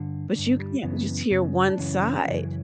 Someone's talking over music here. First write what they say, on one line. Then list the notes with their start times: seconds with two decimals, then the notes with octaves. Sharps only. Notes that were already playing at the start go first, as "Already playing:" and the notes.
but you can't just hear one side.
Already playing: G2 D3
0.35 G2 D3
0.59 G3
0.83 F#2 C#3 E3 B3
1.31 F#2 C#3
1.68 D4
1.78 F#2 C#3 E3 C#4
2.02 C#4
2.26 F#2 C#3 E3